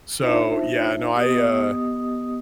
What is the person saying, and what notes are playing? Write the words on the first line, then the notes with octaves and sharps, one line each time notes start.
So yeah. No, I, uh,
D4 D#4 F4 C5 E5 A5
B3 G4 D#5 D#6